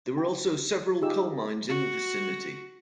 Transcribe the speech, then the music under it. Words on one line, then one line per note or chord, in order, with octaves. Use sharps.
There were also several coal-mines in the vicinity.
G5
D#4 F4 G4 G#4 E6
F#4